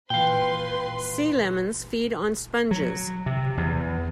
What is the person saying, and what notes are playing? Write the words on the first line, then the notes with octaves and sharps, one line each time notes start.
Sea lemons feed on sponges.
A#2 E3 B4 F5 G5 C6
F#3
C3
E2